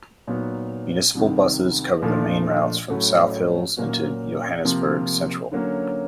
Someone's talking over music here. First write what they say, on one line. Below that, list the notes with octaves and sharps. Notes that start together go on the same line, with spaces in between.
Municipal buses cover the main routes from South Hills into Johannesburg Central.
A#2 F#3 B3 D#4 F#4
C2 C3 D#3
A#2 F3 A3 D4
A2 F#3 A3 C#4 F#4
A#2 F#3 A#3 C#4 F#4
C3 F3 A#3
D3 F#3 A#3 C#4